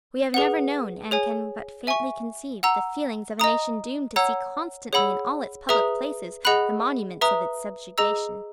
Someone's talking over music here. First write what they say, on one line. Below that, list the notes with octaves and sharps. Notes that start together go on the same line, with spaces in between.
We have never known, and can but faintly conceive, the feelings of a nation doomed to see constantly in all its public places the monuments of its subjugation.
G#4 B4 F#5
G#4 C#5 G#5
E5 G#5 C#6
F#5 A#5 E6
D#5 A#5 D#6
C#5 F#5 A#5 E6
G#4 C#5 F#5 B5 E6
G#4 B4 E5 A#5 D#6
G#4 D#5 F#5 B5 F#6
B4 E5 A#5 D#6
G#4 D#5 A#5 E6